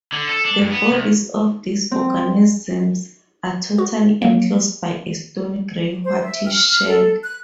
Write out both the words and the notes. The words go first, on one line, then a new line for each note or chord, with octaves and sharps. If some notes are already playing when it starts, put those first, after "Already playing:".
The bodies of these organisms are totally enclosed by a stony gray-whitish shell.
D3
A4
D4
G2
B3
C2
C4
F#4
F#3 A#3
C5
E5
F6
F6
A4
F#6